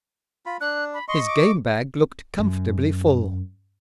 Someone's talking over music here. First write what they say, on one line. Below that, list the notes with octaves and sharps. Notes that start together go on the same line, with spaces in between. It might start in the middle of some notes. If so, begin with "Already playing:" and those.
His game-bag looked comfortably full.
F4 B5
D4 F#6
B5
D#5 C6 C#6
D6
F#2